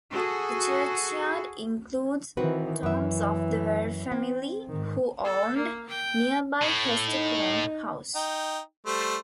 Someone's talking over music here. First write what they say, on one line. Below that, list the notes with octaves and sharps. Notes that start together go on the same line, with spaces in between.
The churchyard includes tombs of the Warre family who owned nearby Hestercombe House.
F#4 G#4 A4
D#3 E3 C4 F#4 B4
F#2 E3 E5
C4
G#2 D#3
A4
A#3
G5
A2
D#4
D#4 G5
G3 A3 C5